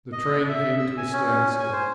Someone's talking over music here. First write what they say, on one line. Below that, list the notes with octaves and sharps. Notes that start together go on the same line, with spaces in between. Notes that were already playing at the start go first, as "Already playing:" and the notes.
The train came to a standstill.
D#5
E5
E6
G#5
C#4
G#5
C5